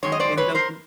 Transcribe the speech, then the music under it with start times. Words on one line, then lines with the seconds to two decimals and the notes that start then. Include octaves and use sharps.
in Dunkin'?
0.03 F#2 D#3 G#3 C#5
0.12 D#5
0.20 C5 D5
0.37 B4 C#5
0.55 A#4 C5